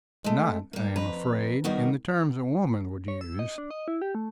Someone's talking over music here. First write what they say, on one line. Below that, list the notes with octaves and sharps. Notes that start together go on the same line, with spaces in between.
Not, I am afraid, in the terms a woman would use.
G#3 A3
G3 A#3
F2 B4 A#5
D#3 G3 B3 F#4 A#4
C#5
E6
D#5
D4
D#5
E4
G4
A3